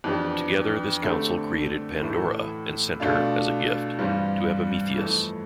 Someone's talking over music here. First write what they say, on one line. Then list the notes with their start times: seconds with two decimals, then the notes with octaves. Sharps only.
Together this council created Pandora, and sent her, as a gift, to Epimetheus.
0.04 F2 E3 B3 D4 G4
1.03 D3 A3 C4 G4
2.01 A2 E3 A3 E4
3.00 B2 A3 D4 F4
3.99 G2 E3 G3 C4 F4
4.97 F2 E3 A3